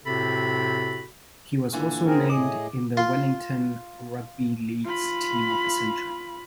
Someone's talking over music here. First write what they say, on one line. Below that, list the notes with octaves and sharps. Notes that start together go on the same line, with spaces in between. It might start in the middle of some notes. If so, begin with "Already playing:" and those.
He was also named in the Wellington Rugby League's Team of the Century.
A2 C3 C4 F#4 A4 B5
A#2 D3 E3
C4 G#4 A#4
A2 G#4 D#5 D6
F4 C6
F4 B5